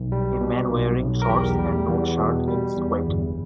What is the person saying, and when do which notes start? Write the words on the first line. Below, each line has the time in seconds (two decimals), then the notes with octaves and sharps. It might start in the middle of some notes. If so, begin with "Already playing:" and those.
A man wearing shorts and no shirt is squatting.
Already playing: B1
0.12 G3
0.41 B2
0.70 B1
1.00 B1
1.22 A#4
1.29 E2 G4
1.59 G3
1.88 E2
2.18 B2
2.47 G3
2.77 E2
3.06 G1